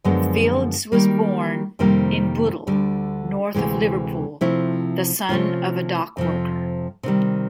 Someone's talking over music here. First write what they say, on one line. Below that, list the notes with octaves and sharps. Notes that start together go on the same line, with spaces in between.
Fields was born in Bootle, north of Liverpool, the son of a dockworker.
F#2 D3 F3 G#3 B3
D#3 G3 A#3
F2 C3 D#3 G3 A#3
D2 D3 G3
D2 C3 E3 G#3
C3 F3 A3 C4 E4
C3 F3 A3 C#4 F4
F2 C3 F3
C3 D#3 G3